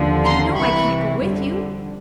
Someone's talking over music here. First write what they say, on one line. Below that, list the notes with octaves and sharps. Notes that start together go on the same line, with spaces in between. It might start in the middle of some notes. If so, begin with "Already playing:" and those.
But, you know I can't go with you.
Already playing: D#2 D3 F3
A#5 C6
C2 C3 E3 B5 C#6
F2 D3 G3